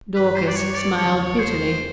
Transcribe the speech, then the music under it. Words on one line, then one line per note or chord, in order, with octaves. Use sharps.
Dorcas smiled bitterly.
G2 E3 G3 B4
C5
D5
C#5
D5
E2 C#3 E3 C#5
C5